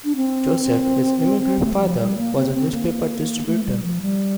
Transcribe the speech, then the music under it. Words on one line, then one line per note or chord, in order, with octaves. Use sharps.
Joseph, his immigrant father, was a newspaper distributor.
D4
C4
A3
G3
F3
G3
A#3
C4
C4
A#3
A3
G3
F3
G3